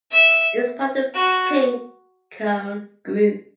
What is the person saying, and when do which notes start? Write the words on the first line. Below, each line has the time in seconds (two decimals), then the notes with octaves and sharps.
It is part of the Pink Cone Group.
0.11 E5
1.14 F#4